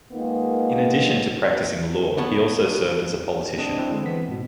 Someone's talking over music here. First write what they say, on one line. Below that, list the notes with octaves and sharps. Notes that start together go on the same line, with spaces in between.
In addition to practicing law, he also served as a politician.
D#3 G#3 A#3 B3 D#4 F4
B3 C#5 A5
C4 D4 D#5
C4 D4 E4
D3 G#3
E3 B3 C4 B6
G#2 B2